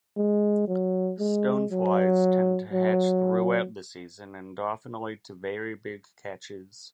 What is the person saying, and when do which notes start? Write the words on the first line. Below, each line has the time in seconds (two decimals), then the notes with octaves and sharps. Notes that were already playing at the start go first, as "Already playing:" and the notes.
Stoneflies tend to hatch throughout the season, and often lead to very big catches.
0.17 G#3
0.68 F#3
1.20 G#3
1.71 F#3
2.73 F#3